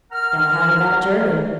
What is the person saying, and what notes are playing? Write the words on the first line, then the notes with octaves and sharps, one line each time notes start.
'They'll have a bad journey.'
A#4 F#5 A#5 F6